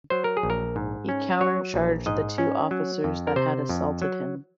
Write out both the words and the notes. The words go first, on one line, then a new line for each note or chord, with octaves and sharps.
He counter-charged the two officers that had assaulted him.
F#3 C5
A#4
G#4
A#1
A#4
G#2
C#4
F#3 C#5
A#1
G#2 D#5
C#4
F#3
F2
A#4
C3 C5
F2
F#3